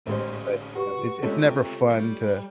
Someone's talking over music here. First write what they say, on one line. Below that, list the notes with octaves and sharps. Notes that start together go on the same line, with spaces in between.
But, no, it's it's never fun to
A1 D3 G#3 C#4 C5
F#4 G4 B4 F#5 C#6
C3 G#3 A3 C#4 F4 A4 C#5
G3